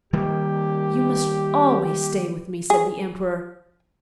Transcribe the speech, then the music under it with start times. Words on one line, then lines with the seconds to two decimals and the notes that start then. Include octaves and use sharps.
"You must always stay with me," said the Emperor.
0.13 D#3 G3 A#3 G4
2.70 G#4